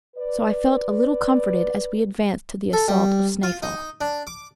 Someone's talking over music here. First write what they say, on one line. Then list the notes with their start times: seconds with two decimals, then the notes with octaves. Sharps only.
So I felt a little comforted as we advanced to the assault of Snaefell.
0.16 B4 D5
2.73 A4
2.88 G3
3.43 F4
3.63 D#4
4.01 D4
4.27 D6